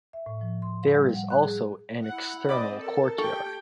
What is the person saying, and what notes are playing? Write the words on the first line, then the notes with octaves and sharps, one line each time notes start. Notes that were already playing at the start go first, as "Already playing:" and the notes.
There is also an external courtyard.
E5
A2
F3
C6
F5
G3
F#5
F#6
G#4
E4 F#5
C4 D5 D#5 B5 D6
A4 A#4
G4 A4 G5 C#6